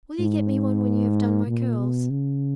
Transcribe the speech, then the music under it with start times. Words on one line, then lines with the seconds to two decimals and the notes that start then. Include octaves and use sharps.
"Will you get me one when you have done my curls?"
0.19 G#2
1.47 A#2
1.78 B2
2.10 C#3